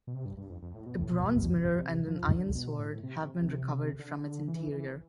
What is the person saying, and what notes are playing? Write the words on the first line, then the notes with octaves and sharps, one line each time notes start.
A bronze mirror and an iron sword have been recovered from its interior.
B2
C3
G2
G2
F2
F2
A2
B2
A2
B2
C3
F3
D3
B2
A2
C3
D3
E3
E3